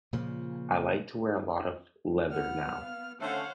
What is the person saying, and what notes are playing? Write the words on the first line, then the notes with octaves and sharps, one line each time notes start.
I like to wear a lot of leather now.
A#2 C#3 F3
B3 F#5 F6
F5
D3 A3 C#4 C5 C#5 F5 F#5